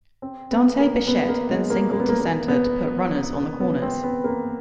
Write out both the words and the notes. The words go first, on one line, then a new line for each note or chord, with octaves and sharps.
Dante Bichette then singled to center to put runners on the corners.
C4
B3
A#3
B3
A#3
G#3
A#3
A#3
B3
A#3
A#3
B3
B3
C4
B3
A#3